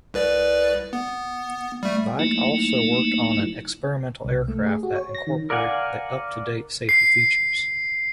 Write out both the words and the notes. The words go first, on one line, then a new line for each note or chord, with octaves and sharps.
Weick also worked on an experimental aircraft that incorporated the up-to-date safety features.
C2 B4 D5
B3
G3 A3
F#3 A3 A#3 D#4 E4
C2
A3
G#4
F#4
C#5
A#6
D#3
A#4 D5 F5 F#5 G#5
C7